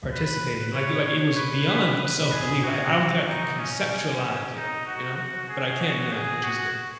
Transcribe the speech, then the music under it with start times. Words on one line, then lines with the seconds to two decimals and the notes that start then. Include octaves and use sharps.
participate in. Like, it like, it was beyond self-belief. I I don't think I could conceptualize it, you know, but I can now, which is good.
0.11 B4
0.74 C#5
1.06 C#5
1.37 B4
1.69 B4
2.01 B4
2.32 G#4
2.64 F#4
3.28 D#4
3.59 C#4
4.53 D#4
4.86 F#4
5.17 F#4
5.49 G#4
5.81 F#4
6.12 G#4
6.44 F#4